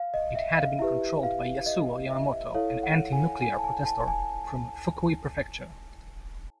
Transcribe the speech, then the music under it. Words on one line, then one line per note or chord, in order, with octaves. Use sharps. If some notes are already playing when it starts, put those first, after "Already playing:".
It had been controlled by Yasuo Yamamoto, an anti-nuclear protestor from Fukui Prefecture.
Already playing: F5
D#5
E5
F5
E4 G4 B4 E5
F5
D#5
E5
E4 A4 C#5 F5
F#5
G#5
G#5
A5
G#5
A5
G#5